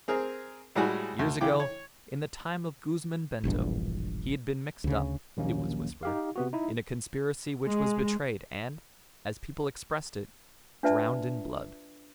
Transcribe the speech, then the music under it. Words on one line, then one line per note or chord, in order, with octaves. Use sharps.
Years ago, in the time of Guzman Bento, he had been mixed up, it was whispered, in a conspiracy which was betrayed and, as people expressed it, drowned in blood.
C4 G#4 A#4
A2 G3 G#3 F#4 G#5
D2
C#3 E3 G5 D6
C#5
E1 A#1 E2 G2
D2 C#3
A#1 D#2 F#3 A#3 C#4
D#4 G4 F5
C3 B3 F#4
D#4 E4
G#3
D4 F4 B4 D5 E5 A5